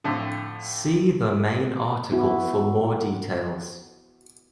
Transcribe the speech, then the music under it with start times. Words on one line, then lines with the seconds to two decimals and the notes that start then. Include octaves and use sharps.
See the main article for more details.
0.04 F2 A2 D3
2.12 B3 E4 F#4